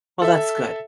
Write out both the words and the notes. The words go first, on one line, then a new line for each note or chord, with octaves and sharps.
Well, that's good.
A4 E5